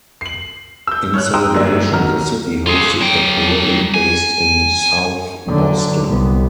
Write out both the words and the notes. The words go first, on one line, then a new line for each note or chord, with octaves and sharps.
In celebration, the city hosted a parade based in South Boston.
C7 F#7
E6 G6
C#5 F6 F#6
G5 A#5 C6 D#6 E6
G1 F#2 G3 G#3 A#3 D4
B1 D#3 F#4 A#5 F6
F4 G#4
F#3 G5
G#5
D3 F#3
C2 B3